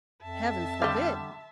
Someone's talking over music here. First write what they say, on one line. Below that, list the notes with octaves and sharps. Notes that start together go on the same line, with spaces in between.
Heaven forbid!
F2 E5 A5
D3 G3 D#5 F5